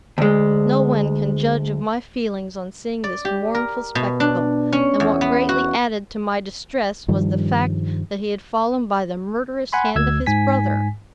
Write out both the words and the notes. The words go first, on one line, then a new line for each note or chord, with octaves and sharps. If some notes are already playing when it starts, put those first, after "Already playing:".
No one can judge of my feelings on seeing this mournful spectacle; and what greatly added to my distress, was the fact that he had fallen by the murderous hand of his brother!
D2 G#3
D5
G4
A#4
B2
D4
C#4
E2
B3
F#4
G2 D#3 F3 G3
F#5 G#5 B5 C6
D2 E6 G#6
G#2 G#5 B6